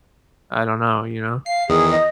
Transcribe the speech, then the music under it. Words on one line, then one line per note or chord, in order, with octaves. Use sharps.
I don't know, you know?
F5 C7
E2 D#3 G#4 D#6
D#5